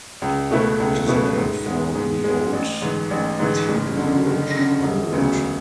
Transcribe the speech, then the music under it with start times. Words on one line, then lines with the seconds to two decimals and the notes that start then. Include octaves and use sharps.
It is named for the old Teignbridge hundred.
0.22 C#2
0.51 B2 A3 E4 B4
0.79 C#2
1.08 B2 A3 E4 B4
1.37 G#2
1.66 G#3 B3
1.95 G#2
2.24 G#3 B3
2.53 A1
2.82 G#2 E3
3.11 A1
3.39 G#2 E3
3.68 F#1
3.97 F#2 D3
4.26 F#1
4.55 F#2 D3
4.84 E1
5.13 D2 C#3 F#3 B3